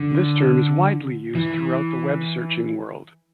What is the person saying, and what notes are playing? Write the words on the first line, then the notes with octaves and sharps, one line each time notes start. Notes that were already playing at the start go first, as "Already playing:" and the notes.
This term is widely used throughout the web searching world.
Already playing: D3
E3